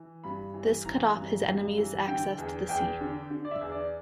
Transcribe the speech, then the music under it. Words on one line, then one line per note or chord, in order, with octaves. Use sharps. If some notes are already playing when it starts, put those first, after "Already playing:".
This cut off his enemies' access to the sea.
Already playing: E3
G2 B5
E3
E3 A#5
G2
G2
E3
D3 G5
E2
E2 G5
D3
D3
D5
E5
E2
D5